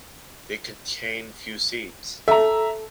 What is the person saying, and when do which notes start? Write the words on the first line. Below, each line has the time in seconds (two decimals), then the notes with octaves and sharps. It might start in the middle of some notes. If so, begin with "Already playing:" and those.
They contain few seeds.
2.28 A4 E5 A#5